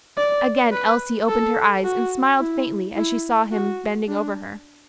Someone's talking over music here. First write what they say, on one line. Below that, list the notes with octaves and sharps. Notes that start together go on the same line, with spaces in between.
Again Elsie opened her eyes, and smiled faintly as she saw him bending over her.
D5
B4
A4
F#4
E4
E4
F#4
D4